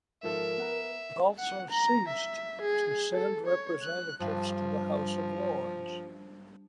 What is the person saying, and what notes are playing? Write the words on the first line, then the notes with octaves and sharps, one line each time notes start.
It also ceased to send representatives to the House of Lords.
G#1 F3 A4 A#4 E5
B3 F#5 A#5
F#5
A#5
E5
G#4
A4
C#5
F#6
G2 F3